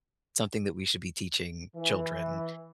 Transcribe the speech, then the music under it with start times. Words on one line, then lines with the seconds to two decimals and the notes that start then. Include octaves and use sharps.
something that we should be teaching children,
1.76 E3